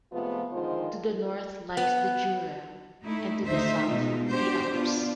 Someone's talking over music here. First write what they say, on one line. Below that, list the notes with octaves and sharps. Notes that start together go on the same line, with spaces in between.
To the north lies the Jura and to the south the Alps.
C3 F3 G#3 A3 B3 F4
D3 D#3 F3 G#3 F4 C5
B3
A3 D#4 E4
D2 D#3 D#4 C5 E5
B2 G#3 D#4 F4
D4 F#4 G4 C5
B3 D4 F4